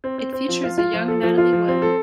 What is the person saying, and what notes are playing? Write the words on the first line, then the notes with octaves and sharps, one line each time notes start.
It features a young Natalie Wood.
C4
C4
C4
F3
F4
F4
F3
A4
F3
F4
F3
C4
A4